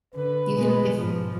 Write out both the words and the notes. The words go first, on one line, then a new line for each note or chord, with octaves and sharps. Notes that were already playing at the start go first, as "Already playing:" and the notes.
you can if
D3 B4
B2 G#3
G#2 F3